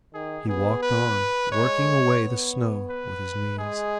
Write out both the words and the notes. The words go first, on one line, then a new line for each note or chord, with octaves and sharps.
He walked on, working away the snow with his knees.
D#3 G#4
B3 G#4
B4
G#3 C#5
B3
B4
G#3 G#4